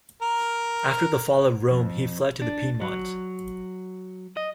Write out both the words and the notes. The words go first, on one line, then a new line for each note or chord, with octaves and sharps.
After the fall of Rome he fled to Piedmont.
A#4
F2
D4
F#3
D#5